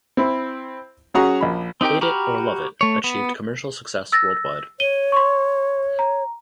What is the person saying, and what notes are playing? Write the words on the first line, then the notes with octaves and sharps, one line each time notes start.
"Hate It or Love It" achieved commercial success worldwide.
C4 E4
F#3 C#4 F#4 G#4 F#5 A#5
A#1 B5
C4 D#4 G4 A#4 G5
F#4 G4 A#5 B5 F6
A3 C#5
B3
E6 A6 A#6
C#5 D#7 G7
C6 C#6
A#5